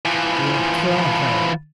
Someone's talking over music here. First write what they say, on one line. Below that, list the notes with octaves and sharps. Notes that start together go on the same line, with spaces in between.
"He'll kill her!"
E3 F3